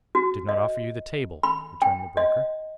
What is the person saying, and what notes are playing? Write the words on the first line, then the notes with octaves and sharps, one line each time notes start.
"I did not offer you the table," returned the broker.
F#4
D#5
B5
G5
D#5